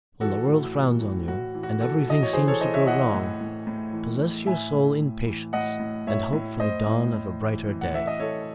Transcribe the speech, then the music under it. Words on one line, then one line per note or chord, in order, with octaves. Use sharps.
When the world frowns on you and everything seems to go wrong, possess your soul in patience and hope for the dawn of a brighter day.
E3 F#4 A4
A2
E3
A2
A2 F#4
E3
F#4
E3 F#4 A4
E3 D#5
C#5
E3 G#4 C5
A4 C#5
E3 C5 D#5
C#5 E5
E3 D#5 F#5
A2
A2
A2
E3
E3
A2 E5 G#5
A2
A2
E3
A2 D#5 F#5
A2
A2 C#5 E5
A2
A2 C5 D#5
A2
A2
E3
E3
F#5
E3 E5
D#5
E3 A4 C#5